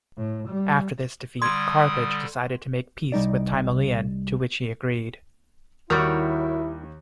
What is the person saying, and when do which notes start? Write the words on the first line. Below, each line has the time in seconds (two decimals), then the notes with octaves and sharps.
After this defeat Carthage decided to make peace with Timoleon, to which he agreed.
0.17 A2
0.49 G3
1.42 D3 G3 C6 D#6 G#6
3.12 C2 G3 D#4 D5
5.90 D#2 D#3 G3 E4 F#4 A#4 C#5